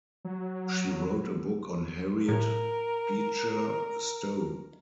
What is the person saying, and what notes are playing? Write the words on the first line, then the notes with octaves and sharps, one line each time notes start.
She wrote a book on Harriet Beecher Stowe.
F#3
A2 A#4